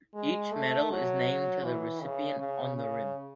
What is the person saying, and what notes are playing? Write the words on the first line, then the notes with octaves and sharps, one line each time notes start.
Each medal is named to the recipient on the rim.
G#3
A3
F#3
E3
C#3
C#3
C#3